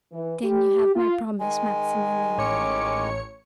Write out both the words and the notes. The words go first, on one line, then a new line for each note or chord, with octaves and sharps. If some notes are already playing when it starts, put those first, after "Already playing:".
"Then you have my promise, Maximilian."
E3
G4
F4
D#3 G#3 G#5
A1 C#4 C#5 D6 C#7